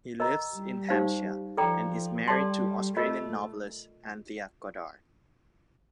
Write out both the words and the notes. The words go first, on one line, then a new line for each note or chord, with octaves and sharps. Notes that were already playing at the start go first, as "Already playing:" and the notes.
He lives in Hampshire and is married to Australian novelist Anthea Goddard.
A#4 D#5 A#5
G3
D#4 G4 C5 F5
F3 A4 D5 G5 A#5
G3 A4 D5 A5 C6
A3 F4 A#4 D#5